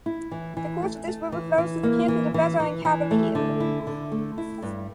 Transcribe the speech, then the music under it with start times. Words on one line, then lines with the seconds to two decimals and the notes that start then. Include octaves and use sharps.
The course of this river flows through the cantons of Vezza and Cavelier.
0.06 E4
0.31 E3
0.57 E3
0.82 A3
1.07 A3
1.32 E3
1.58 E3
1.83 A#3
2.08 E3
2.34 E3
2.60 E3
2.85 E3
3.11 A3
3.35 D3
3.60 E4
3.87 D3
4.12 A3
4.38 E4
4.62 G2